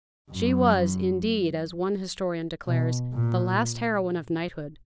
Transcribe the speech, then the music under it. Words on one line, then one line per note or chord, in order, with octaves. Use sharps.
She was, indeed, as one historian declares, the last heroine of knighthood.
F#2
B2
A#2